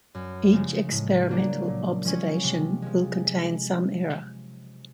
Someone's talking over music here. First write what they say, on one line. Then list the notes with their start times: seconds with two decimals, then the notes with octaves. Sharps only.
Each experimental observation will contain some error.
0.15 F#2
0.53 C#3 F3 G#3
0.91 A2
1.29 F#3 A#3 D4
1.68 A#2
2.05 F3 G#3 C#4
2.44 C3
2.82 F3 G#3